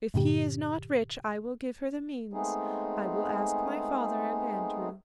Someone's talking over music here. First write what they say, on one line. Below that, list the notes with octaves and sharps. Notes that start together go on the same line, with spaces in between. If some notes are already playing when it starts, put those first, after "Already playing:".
If he is not rich I will give her the means; I will ask my father and Andrew.
G2 A#2 D3 G4
G#3 A3 B3 C4 D#4 G#4